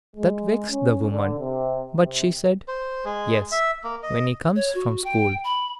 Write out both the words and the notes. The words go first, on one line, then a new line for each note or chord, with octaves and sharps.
That vexed the woman, but she said, "Yes, when he comes from school."
G#3
C#4
D3
C3
C3
C5
G#3
E5
A#3
D#5
C#5
F#4
G5
B5